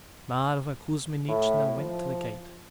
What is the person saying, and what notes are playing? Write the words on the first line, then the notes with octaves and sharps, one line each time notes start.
Mavra Kuzminichna went to the gate.
A2
F3